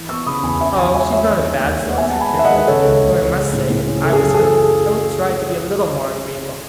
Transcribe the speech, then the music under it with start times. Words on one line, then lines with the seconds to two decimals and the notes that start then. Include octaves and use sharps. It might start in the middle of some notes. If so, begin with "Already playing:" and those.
"Oh! she's not a bad sort," said Kirsty; "though I must say, if I was her, I would try to be a little more agreeable."
Already playing: E3
0.09 B3 C#6 E6
0.26 C#3 B5 D#6
0.43 E2 G#5 B5
0.60 C#4 E5 G#5
0.78 E2 G#5 B5
0.95 G#3 E5 G#5
1.12 G#3 C#5 E5
1.30 D#2
1.47 D#3
1.64 D#2
1.81 G#3
1.89 F#5
1.98 B3 E5 G#5
2.10 F#5 A5
2.15 G#3
2.21 G#5 B5
2.33 D#3
2.39 E5
2.44 D#5 F#5
2.50 G#3
2.56 B4 D#5
2.67 C#3 A4 C#5
2.85 C#2
3.02 C#2
3.19 C#2
3.36 G#3
3.53 A2
3.70 A2
3.87 C#4
4.04 C#3 A4
4.13 G#4
4.22 F#2 A4
4.34 G#4
4.39 E3 A4